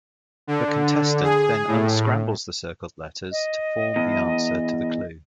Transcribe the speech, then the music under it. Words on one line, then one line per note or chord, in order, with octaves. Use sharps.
The contestant then unscrambles the circled letters to form the answer to the clue.
D3
G#4
A2
D#5
E2